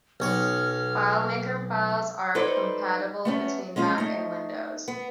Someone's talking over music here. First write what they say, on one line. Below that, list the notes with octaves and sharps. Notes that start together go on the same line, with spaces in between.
FileMaker files are compatible between Mac and Windows.
B1 C#5 F6
D#4 A4 B4 C5 D5
A3 B3 C#4
G#3 C#4 F4 F5
A3 D#4
B3